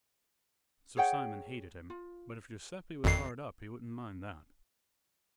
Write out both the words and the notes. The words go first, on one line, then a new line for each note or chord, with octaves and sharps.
Sir Simon hated him, but if Guiseppe was hard up he wouldn't mind that.
G#4 C#5 F#5 G5
F4
G#1 F2 C7